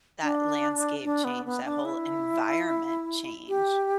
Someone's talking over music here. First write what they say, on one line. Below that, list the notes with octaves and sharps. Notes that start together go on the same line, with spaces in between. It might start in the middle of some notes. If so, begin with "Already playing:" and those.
that landscape change, that whole environment change,
D4
D4
B3
B3
D4
E4
G4